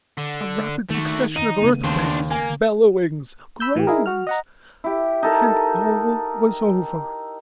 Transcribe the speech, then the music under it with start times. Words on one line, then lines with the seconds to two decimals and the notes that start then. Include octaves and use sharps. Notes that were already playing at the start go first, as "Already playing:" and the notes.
A rapid succession of earthquakes--bellowings--groans,--and all was over.
0.18 D3
0.90 D#3 A3 F#4
1.36 D#4 D#7
1.61 C#3 A3 B3
1.84 D#2 D4 C5
2.31 A#3 G#5
3.60 B5 E6 G6
3.75 A2 E3
3.87 D#4 E4 G#4 A#4
4.06 F#4 F6
4.27 D#5 F#5 A#5
4.84 E4 G4
5.23 D#4 A4 A#4